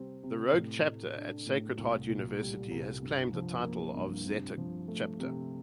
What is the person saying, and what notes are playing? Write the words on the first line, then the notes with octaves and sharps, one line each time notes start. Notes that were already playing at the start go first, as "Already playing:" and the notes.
The rogue chapter at Sacred Heart University has claimed the title of Zeta Chapter.
Already playing: C3 G3 C4
C3
A2
A3
D4
A2
C2
A#2
G3
C2
G2
F3
A#3
G2
C3
F3
A3
C3